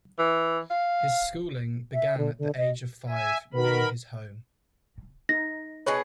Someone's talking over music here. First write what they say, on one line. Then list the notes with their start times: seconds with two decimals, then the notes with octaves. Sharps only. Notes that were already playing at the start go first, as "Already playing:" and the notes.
His schooling began at the age of five, near his home.
0.19 E3
0.70 F5
1.94 E5
2.18 D3
2.38 D3
2.58 D#5
3.09 E5 G#5
3.54 D#3 F#4 A#4 B4 B5
5.29 D#4 A#6
5.86 B2 G#4 B4 C#5